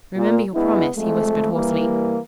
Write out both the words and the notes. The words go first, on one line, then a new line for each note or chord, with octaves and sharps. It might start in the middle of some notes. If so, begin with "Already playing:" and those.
"Remember your promise," he whispered hoarsely.
A#2
G#3 B3 D4 E4
F2 G#3 A3
E3 G3 A#3